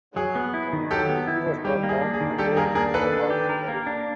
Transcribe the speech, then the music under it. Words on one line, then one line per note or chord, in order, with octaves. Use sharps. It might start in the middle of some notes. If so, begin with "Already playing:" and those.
He was brought home and buried in an unmarked grave.
F#3 G#4
B3
E4
D#3
F#3 G4 A4
B3
E4
D#3
G3 G4
A#3
G#4
D4
G#4
D#3
G3 G4 A4
A#3 G#4 A#4
D4 G#4 A#4
D#3 A4 B4
D4
G4
A#4
A#3
D4